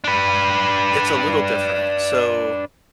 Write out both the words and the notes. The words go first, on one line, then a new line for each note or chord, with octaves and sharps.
It's a little different, so
D4 B4